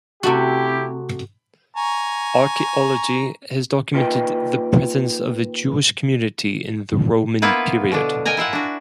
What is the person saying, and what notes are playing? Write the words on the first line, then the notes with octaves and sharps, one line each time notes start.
Archaeology has documented the presence of a Jewish community in the Roman period.
C3 A3 E4 F#4 G4
G#5 A#5 C#6
A#2 D#3 F4 B4 D#5 G5
A#3 B3 E4 F4 B4
B2 D3 D4
A#4 D#5 G5 G#5 A#5
E4 F4 E5 F#5
D4 F#4